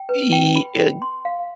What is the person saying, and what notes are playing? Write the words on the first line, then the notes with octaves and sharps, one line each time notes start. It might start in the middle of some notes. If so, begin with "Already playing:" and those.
Ye uh,
Already playing: G5
B4
G5
B5
G5
C6
F5